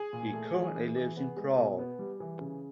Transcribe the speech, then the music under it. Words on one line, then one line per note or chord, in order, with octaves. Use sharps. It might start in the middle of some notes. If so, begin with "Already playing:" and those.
He currently lives in Prague.
Already playing: G#4
A#2
A3
E3
E3
E3
B3
G#3
B2
B3
G3
E3
C#3